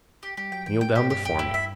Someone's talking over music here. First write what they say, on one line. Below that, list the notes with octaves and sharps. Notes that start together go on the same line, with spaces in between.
Kneel down before me.
G4
G3 G4
F#3 G5
E3 G5
G5
A#2 G4
G2 G4
F#2 G4
G2 E4
E5